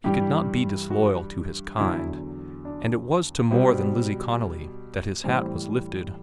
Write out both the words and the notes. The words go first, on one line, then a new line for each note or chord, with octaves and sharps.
He could not be disloyal to his kind, and it was to more than Lizzie Connolly that his hat was lifted.
G2 E3 G3 G4
F#4
E2 D3 F#3 E4
D4
B2 G3 C4
A2 E3 G3 C4